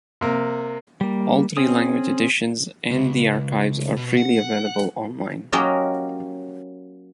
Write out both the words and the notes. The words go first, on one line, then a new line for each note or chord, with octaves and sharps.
All three language editions and the archives are freely available online.
C3 A#3
G3 A#3
C4 C#4 G#4 D#6
C#2
B2
F#5
F#3 A#3 C#4 G4 A#4 D#5